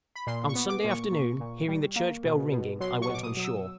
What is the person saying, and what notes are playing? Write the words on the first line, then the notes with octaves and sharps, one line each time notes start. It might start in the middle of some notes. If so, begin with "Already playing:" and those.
On Sunday afternoon, hearing the church bell ringing I went on shore.
B5
A#2 C6
C#6
B3
D6
A#2
C#6
A#2
A#2
G3
A#3
B2
B2
F#3 C6
C#6
B2 D6
D#6
F#3 D#6
E6